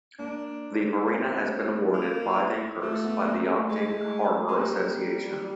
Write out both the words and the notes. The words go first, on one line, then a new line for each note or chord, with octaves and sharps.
The Marina has been awarded Five Anchors by the Yachting Harbour Association.
A#3 D4
A#3 C#4
B3
C4
A#3
F4
E4
A3 F4
B3
A#3
A3
G#3 A3
A3
G#3
G3 A#3